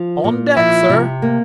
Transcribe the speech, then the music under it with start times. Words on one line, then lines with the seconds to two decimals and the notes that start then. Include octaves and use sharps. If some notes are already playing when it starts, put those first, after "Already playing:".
"On deck, sir."
Already playing: F3
0.24 A#2
0.56 F3 E4
0.89 C3
1.22 A#3